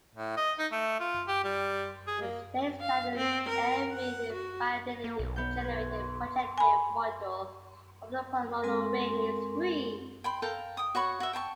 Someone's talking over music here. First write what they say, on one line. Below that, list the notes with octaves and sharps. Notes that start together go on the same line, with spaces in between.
It states that every finitely generated projective module over a polynomial ring is free.
A2
D#5
D#4
A3
F4
G4
G3
G#4
A#3
F5
C4
A#4
F#5
F#4
A#3
B1
B3 G6
B4 G#6
G#5 B5
G#3 C4 A4 A#4 C6
G5 B5 C6
A4 A#4 F5 G5
G5 D#6
F#4 C#5 B5 C#6
F#4 E5
G5 A5 A#5 C#6